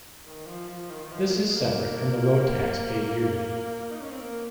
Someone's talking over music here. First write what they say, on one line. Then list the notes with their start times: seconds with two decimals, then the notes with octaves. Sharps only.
This is separate from the road tax paid yearly.
0.24 D#3
0.46 F3
0.68 F3
0.90 D#3
1.04 D#3
1.12 F3
1.29 A#3
1.34 G#3
1.49 G#3
1.56 A#3
3.90 D#4
4.01 C#4
4.11 C4
4.21 A#3